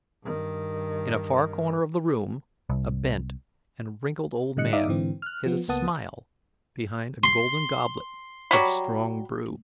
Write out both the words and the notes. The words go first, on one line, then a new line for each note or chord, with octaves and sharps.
In a far corner of the room a bent and wrinkled old man hid a smile behind a golden goblet of strong brew.
G2 D#3
C2
A2 D3 G3 D#5 F#6 C#7
D#4 D5 E5 F5 D6 D#6
G#2 D3 E3 C4
F6 F#6
F3 B3
C#2 A#3 B3 F#5 A5 D#6
C6
F#3 G3 B5